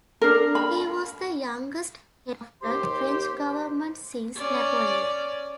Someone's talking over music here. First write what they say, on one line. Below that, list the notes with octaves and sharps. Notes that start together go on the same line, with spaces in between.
He was the youngest head of a French government since Napoleon.
D4 A#4
B5
D#2 G4 C5 C6
C#4 D5